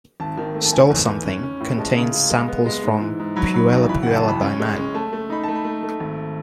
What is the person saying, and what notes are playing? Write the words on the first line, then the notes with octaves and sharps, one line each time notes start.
"Stole Something" contains samples from "Puella Puella" by Man.
G#1 A5
D#3
A3
A5
A3 G#5
E2
E2
C#4
C#4
A2
G#3 A5
C#3
C#3
G#3
B3
G#3
G#2
E3
G#2
F#3 B5
F#3 B5
B1
E3 B5
F#5
F#1
A5
E3 B5
C#4
G#3
C#4
A3 A5
A3
D#4 B5
A3 A5
B5
A3
A3
G#1